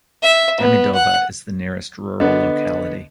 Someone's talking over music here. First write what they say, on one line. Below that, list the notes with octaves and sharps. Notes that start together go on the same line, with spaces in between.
Demidova is the nearest rural locality.
E5
B3
F#5
D3 B3 D#5